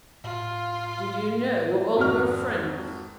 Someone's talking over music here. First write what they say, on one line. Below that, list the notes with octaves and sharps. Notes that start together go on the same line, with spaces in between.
"Did you know all her friends?"
A2 F4
G#1 F2 F#4 A#4 F6